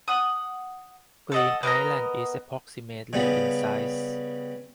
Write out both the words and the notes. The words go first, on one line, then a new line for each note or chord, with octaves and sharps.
Green Island is approximately in size.
F#5 D#6
A4 D#5 F#5
B3 A#4 D#5 A#5
C#3 G3 B3